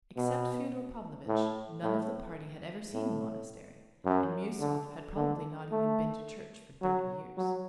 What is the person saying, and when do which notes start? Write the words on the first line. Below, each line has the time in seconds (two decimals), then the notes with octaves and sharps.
Except Fyodor Pavlovitch, none of the party had ever seen the monastery, and Miuesov had probably not even been to church for thirty years.
0.16 B2
1.28 A2
1.83 A2
2.93 A2
4.05 F#2
4.60 D3
5.16 D3
5.71 A3
6.82 F#3
7.37 F#3